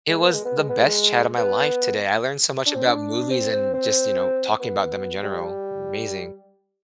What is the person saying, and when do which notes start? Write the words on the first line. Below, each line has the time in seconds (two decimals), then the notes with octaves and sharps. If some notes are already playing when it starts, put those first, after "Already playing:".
It was the best chat of my life today, I learned so much about movies and just, you know, talking about them in general. Amazing.
0.09 G#3
0.21 B3
0.33 G#3
0.45 B3
0.57 G#3
0.69 B3
0.82 G#3
1.38 B3
2.66 D4
2.75 C4
2.85 D4
3.31 C4
3.53 C4
3.74 C4
4.60 B3
5.24 G3